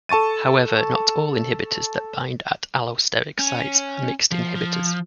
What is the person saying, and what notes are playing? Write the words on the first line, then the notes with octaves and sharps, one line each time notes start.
However, not all inhibitors that bind at allosteric sites are mixed inhibitors.
A4 A5 C#6 A6 D#7
C#4
F3
F3